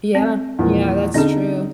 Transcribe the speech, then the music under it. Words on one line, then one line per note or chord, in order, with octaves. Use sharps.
Yeah. Yeah, that's true.
C4
E2 A#2 F3
D3 C4 C#4 D#4 G#4 A4